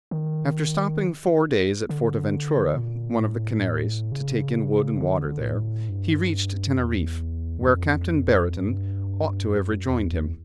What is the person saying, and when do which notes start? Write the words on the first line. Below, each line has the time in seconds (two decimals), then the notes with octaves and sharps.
After stopping four days at Fortaventura, one of the Canaries, to take in wood and water there, he reached Teneriffe, where Captain Brereton ought to have rejoined him.
0.11 D#3
1.89 D3
2.78 A#2
3.23 A2
4.12 C#3
5.01 D3
5.40 A#2
5.45 A2
5.89 G2
6.78 E2
7.61 E2
7.68 F2
8.57 G2
9.45 F#2
9.89 E2